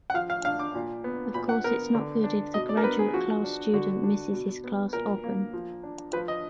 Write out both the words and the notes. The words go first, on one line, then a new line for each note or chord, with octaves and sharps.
Of course it’s not good if the graduate class student misses his class often.
F#5
F3 F5
F5
D4 F5
D6
A#2
B3
A#2 B5
F#5
B3 A#4
D3
D4
B2 D#5
D5
A#4
B3 B4
G#4
F3 F#4
D4
D3 F#4
D4
B2
B3
A#2 A#4
A#3
F3
D4
F3 B4
D#5